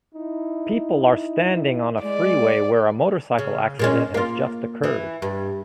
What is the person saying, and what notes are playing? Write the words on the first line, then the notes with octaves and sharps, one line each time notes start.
People are standing on a freeway where a motorcycle accident has just occurred.
D#4 E4
G#3 D5
C#3
A#2 G#3 C#4
A#3 F4
E3
G2